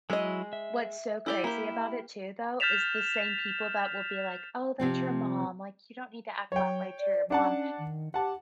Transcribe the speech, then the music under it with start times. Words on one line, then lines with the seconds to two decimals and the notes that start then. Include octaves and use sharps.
What's so crazy about it too, though, is the same people that will be like, "Oh, that's your mom, like you don't need to act that way to your mom."
0.10 F#3 G#3 E4 D#5 E6
0.53 E5
1.26 E4 G4 D5
1.44 A#3 E4 G4
2.60 F6 G6 A6 B6 E7 F7
4.80 C3 F3 C4
6.52 F#3 C#5 G5
6.99 D5
7.30 C#4 D4 F#5 A5
7.78 D#3
8.14 G4 F#5 A5